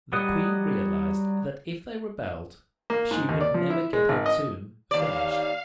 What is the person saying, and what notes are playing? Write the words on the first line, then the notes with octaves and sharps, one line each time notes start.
The Queen realized that if they rebelled, she would never get her tomb finished.
F#3 G3 D#5 F#5 D#6
A#3
G#2
D#2
D5
F3
E4
G#3
G#1
D#5
D#2 D5 F5